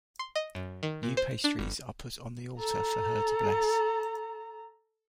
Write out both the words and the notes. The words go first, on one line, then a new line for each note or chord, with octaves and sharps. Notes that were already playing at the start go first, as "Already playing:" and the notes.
New pastries are put on the altar for her to bless.
C6
D#5
F#2
D#3
A#2
C5
D4
G1
A4 A#5